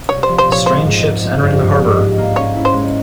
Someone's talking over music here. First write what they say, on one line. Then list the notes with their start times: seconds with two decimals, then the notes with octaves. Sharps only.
Strange ships entering the harbor!
0.09 C2 C#5
0.23 C5
0.28 F3
0.38 C5
0.48 A#2 C#5
0.66 G#3 C5
0.85 G#2
1.04 G#2
1.23 F3
1.42 G2
1.61 G2
1.79 G#2
1.98 G#2
2.18 A#3
2.36 C#4 C#5
2.56 E4
2.65 C5
2.74 G#3